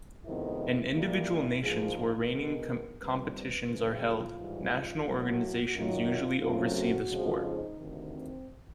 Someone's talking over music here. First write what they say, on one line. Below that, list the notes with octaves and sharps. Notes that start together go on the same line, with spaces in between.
In individual nations where reining competitions are held, national organizations usually oversee the sport.
F2 C3 D#3 G#3 B3 E4
E4
A#2 G3 A#3
G#2 F3 A#3 G#4
A#4
B2 G#3 B3
A#2 G3 C4 B4
B4
F#2 C#3 F3 G#3
F4
G#2 E3 G3
A2 F#3 A#3 F#4
F#2 D#3 F#3 F4
F#2 C#3 F#3 A3 C4 F4
F#4
F2 C#3 F3 G#3
D#4
D2 C3 D#3
C4